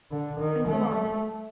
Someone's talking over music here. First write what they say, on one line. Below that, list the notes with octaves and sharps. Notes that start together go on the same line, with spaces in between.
And so on.
D3
D#3
A3